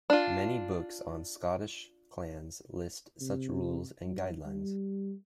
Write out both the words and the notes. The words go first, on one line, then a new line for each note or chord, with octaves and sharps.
Many books on Scottish clans list such rules and guidelines.
D4 F4
C3
F#3
G3